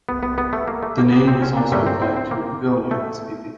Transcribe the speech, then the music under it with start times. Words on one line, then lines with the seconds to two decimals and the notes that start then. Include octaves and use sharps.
The name is also applied to "Begonia" spp.
0.09 B3
0.23 B3
0.38 B3
0.53 A3
0.68 A#3
0.83 A3
0.98 A#3
1.12 B3
1.28 C4
1.42 C#4
1.57 D4
1.72 G2 D3 F#3 A3 C#4
1.87 C4
2.02 C4
2.17 C4
2.31 A#3
2.91 A3